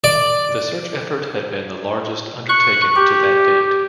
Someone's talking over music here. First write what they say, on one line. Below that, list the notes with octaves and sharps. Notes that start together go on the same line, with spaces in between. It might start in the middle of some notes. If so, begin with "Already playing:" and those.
The search effort had been the largest undertaken to that date.
D5
C#6 F#6
G4